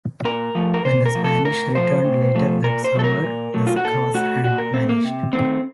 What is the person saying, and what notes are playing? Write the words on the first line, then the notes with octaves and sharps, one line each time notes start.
When the Spanish returned later that summer the cross had vanished.
A#2 A#4
F3 A3
A#4
A#2 C5
A#4
F3 A3
A4
A2 A#4
F3 A3 C5
A2
F3 A3
A#2 A#4
C5
F#3 A3 A4
A#4
A#2
F#3 A3
F4
F#4
A#2 A4
A3 F#4
A#2 F#4
A#4
A3 C4
A#3
C3
D#3 A3 C4